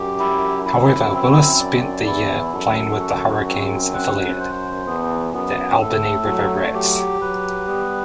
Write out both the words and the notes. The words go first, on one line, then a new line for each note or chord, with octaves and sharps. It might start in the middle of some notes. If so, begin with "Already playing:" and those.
However, Willis spent the year playing with the Hurricanes affiliate, the Albany River Rats.
Already playing: F#2 G4
E4
E4
C4
D5
E2 E4
F#2 A4
F#4
C4
F#5
C5
E2 B3
F#2 B3
A2 A4
F#3 A3
F#3 G4
F#3 B4
G3 B3